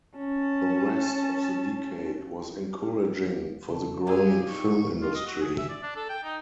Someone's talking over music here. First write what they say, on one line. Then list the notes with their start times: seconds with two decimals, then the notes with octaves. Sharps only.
The rest of the decade was encouraging for the growing film industry.
0.16 C#4 A5
3.68 C#3 A3 A4
4.07 G4 G#4 C5 D5 F5 G#5 E6
4.49 D#4 C#6
5.02 F4
5.15 D#5
5.27 F#4
5.41 G#4
5.57 E5
5.69 D5
5.83 D4
5.96 A4
6.09 G5
6.24 D#4